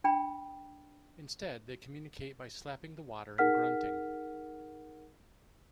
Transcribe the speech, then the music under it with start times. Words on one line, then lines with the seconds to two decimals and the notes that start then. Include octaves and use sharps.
Instead, they communicate by slapping the water and grunting.
0.04 D4 G5 B5
3.38 D#4 G#4 A#4 F#5 F6 B6